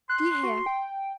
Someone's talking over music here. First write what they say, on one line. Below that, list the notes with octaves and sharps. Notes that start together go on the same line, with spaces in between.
Do you hear?
C6 F#6
F#4
G5